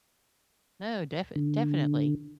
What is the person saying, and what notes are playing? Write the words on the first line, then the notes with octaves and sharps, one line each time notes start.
No, def definitely.
D3